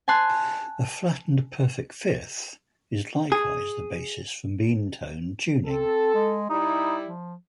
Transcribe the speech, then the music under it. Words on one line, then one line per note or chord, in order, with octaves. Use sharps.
A flattened perfect fifth is likewise the basis for meantone tuning.
G#5 A5 C6 F#6
G#4
C4 A4
G#3
G3 D#4 E4
F3